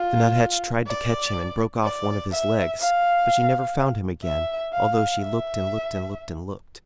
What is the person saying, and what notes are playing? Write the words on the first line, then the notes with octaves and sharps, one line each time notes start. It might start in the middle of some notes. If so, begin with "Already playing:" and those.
The Nuthatch tried to catch him and broke off one of his legs, but she never found him again, although she looked and looked and looked and looked.
Already playing: F4
D5
D5
E5
F5
E5
F5
E5